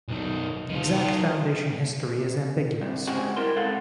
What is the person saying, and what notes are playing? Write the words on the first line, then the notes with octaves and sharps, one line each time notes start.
Exact foundation history is ambiguous.
B1 D#3
D#3 F4
C2
C#3 G3 G#3 C4 F#4
E4 A#4 C6
G#2 C3 A4 F5 F#5